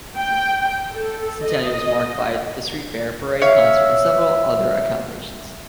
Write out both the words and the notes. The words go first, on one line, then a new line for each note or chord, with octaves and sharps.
The centennial was marked by a street fair, parade, concert, and several other accommodations.
G5
A4
D#5
C#5 E5 F5